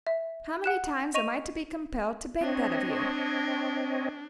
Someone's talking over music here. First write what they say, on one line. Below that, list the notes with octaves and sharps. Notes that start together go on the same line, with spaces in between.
How many times am I to be compelled to beg that of you!
E5
F#5 F#6 E7
D#5 C#6 D#7 F7
C4 D4 C#5 D#5